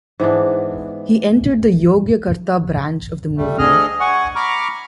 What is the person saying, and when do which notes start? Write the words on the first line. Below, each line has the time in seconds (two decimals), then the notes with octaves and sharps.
He entered the Yogyakarta branch of the movement.
0.20 G#2 E3 B3 D4
3.37 G3 A3
3.58 D2 D3 G#4 D#5 F6
4.00 F#5 G#5 C#6
4.36 A#5 B5 C#6 D6 F6